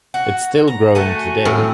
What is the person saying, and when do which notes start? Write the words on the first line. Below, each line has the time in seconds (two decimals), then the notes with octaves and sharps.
It is still growing today.
0.14 F#4
0.68 A#5
0.95 A3 F#4 G#5 A5
1.45 A2 C4